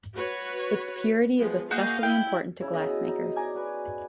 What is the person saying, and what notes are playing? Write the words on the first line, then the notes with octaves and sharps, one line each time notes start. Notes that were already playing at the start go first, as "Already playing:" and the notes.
Its purity is especially important to glassmakers.
F#4 B4 C#5
F3 G#3 B3
A#3 F#4 G#4 D#5 F5 G6
E4 G5
C#3 E4
B2 D#5 E5
D#4
D5 G#5 A#5
F#4 B4